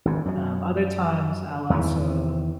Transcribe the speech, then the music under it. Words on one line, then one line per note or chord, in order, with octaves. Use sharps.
Um, other times I'll also,
G#1 G#2
F#2 F#3
E2 D#3 E3